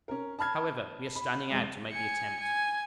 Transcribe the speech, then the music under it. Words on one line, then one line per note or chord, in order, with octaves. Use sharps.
However, we are standing out to make the attempt.
C#4 A#4
A5 B5 F6 G#6
B5
F2 G#3
G#5 C#7
G#5